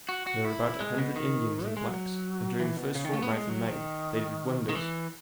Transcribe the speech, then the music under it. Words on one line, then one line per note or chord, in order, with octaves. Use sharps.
There were about a hundred Indians and blacks, and during the first fortnight in May they did wonders.
F#4
F#4
E4
G#3
B2
D#3
A3
G#3
F#3
E3
B2
C#3
D#3
A3
B3
G#3
F#3
D#3
D#3
E3